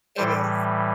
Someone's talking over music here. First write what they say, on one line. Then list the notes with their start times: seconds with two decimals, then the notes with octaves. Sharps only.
It is.
0.18 A2 E3 G3 A4 C5